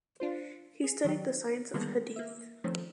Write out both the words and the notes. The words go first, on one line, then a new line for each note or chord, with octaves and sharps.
He studied the science of Hadith.
D4 F4 C5
G#4
D#3 F#3 G4
D3 D#3 G3 G#3 A#3 B3
A#3 E5
D#3 F3 A3 C4 C#4